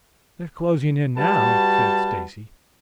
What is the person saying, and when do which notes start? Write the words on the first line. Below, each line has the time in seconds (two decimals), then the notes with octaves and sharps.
"They're closing in now," said Stacy.
1.17 G3 F#4 B4 A5